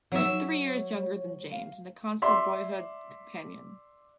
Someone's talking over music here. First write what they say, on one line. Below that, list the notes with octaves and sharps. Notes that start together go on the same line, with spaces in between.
He was three years younger than James, and a constant boyhood companion.
F#3 D#4 E5
C#5
F5
D5 E5 C6